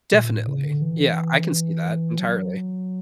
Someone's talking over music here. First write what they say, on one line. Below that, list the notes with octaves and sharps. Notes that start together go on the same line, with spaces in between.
Definitely, yeah, I can see that entirely.
A#2
A2
C#3
D3
E3
F#3